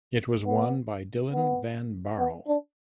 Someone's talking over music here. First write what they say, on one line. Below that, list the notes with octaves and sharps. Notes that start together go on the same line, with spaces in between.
It was won by Dylan van Baarle.
B3
B3
B3
D4